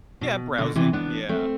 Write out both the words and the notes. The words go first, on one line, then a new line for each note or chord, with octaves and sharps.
Yeah, browsing, yeah.
B2
B2 D3
C3 E3
B3 D4
A3 C4